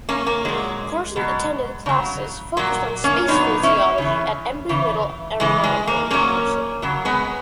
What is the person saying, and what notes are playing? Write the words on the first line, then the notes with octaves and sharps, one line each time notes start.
Carson attended classes focused on space physiology at Embry–Riddle Aeronautical University.
A#3 C#4
A#3
A#2 F#3 G#3
B2 F#3
C#3 F#3
A#2 F#3 A#3
A#3 C#4
A#2 F#3 B3 D#4
C#4 E4
C#3 E3
C#3 E3
C#3 E3 G#3
G#3
A#3
A#2 F#3 A#3 C#4
C#3 F#3
G#3 B3